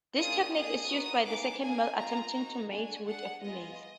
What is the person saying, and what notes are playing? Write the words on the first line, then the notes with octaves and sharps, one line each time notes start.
This technique is used by the second male attempting to mate with a female.
A#3 D4 F4 G#4 D#6
A#3 D4 G#4 D#6
B3 D#4 F#4
B3 D#4 G#4 D6
A#3 D4 G#4 G#5
A#3 F4 G#4 A#5
A#3 D#4 F#4
D4 F#4 G#5
D4 G#4 F#5
B3 F4 G#4 D#5